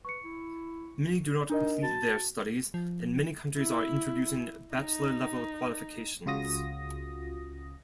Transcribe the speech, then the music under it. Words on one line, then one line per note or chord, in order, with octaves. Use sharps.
Many do not complete their studies, and many countries are introducing bachelor-level qualifications.
B4 C#6 C#7
E4
D4 D#4 A#4 D#5
F#4 A5
F3
E4
D#4
C#2 C#3 F4 F#4 D#6 A#6